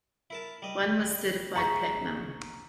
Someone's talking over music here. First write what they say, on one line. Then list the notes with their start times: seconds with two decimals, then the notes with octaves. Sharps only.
One was certified Platinum.
0.30 E4 A#4 A5
0.62 G3 D#5
1.56 G#4 E5 F#5 A#5 C#6